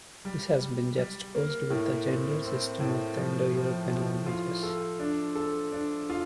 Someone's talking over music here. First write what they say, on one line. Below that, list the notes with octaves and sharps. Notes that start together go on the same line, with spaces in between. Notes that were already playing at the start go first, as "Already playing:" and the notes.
This has been juxtaposed with the gender system of the Indo-European languages.
G3
G3
G3
A#3
A2
C4
C4
A2
F3
F3
F3
F4
A4
D4
A4
D4
F4